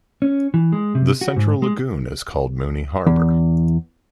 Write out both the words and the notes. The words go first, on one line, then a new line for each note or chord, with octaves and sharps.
The central lagoon is called Mooney Harbor.
C#4
E3
G#3
C3
F#4
G#2
G#3
E2